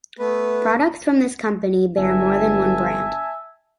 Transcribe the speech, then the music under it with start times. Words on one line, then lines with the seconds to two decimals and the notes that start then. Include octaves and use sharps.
Products from this company bear more than one brand.
0.19 A3 B3 B4
1.98 G1 E5 G#5 A5